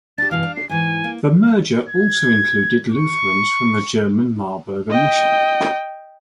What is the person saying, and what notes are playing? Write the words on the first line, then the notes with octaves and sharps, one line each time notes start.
The merger also included Lutherans from the German Marburger Mission.
D4 G4 A6
G2 B2 E3 F5
D4
C7
G#2 E3 G#5
A#3
G#6
C#6
D#5 G5